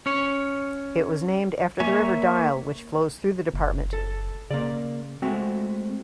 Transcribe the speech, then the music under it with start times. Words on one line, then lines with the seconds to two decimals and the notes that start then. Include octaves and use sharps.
It was named after the river Dyle, which flows through the department.
0.06 C#4 C#5
1.80 A#3 C#5 E5 G#5
3.54 F#1
3.93 A4
4.51 C#3 A#3 D5
5.22 G#3 A3 C4 F#4